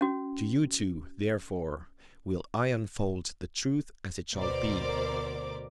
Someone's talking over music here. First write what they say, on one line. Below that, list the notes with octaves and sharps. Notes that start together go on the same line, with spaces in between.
To you two, therefore, will I unfold the truth as it shall be.
C#4 F#4
D2 B2 A#4 C5 D5 D6